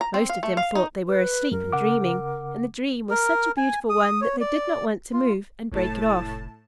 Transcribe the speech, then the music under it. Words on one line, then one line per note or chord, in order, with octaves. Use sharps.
Most of them thought they were asleep and dreaming, and the dream was such a beautiful one that they did not want to move and break it off.
A#5
C4
F5
A3
F5
D#4
B4
F#2 A#4
C#3 F#5 D6
A#4
G#5
D#6
C#5
D5
F4
F1 A2 A5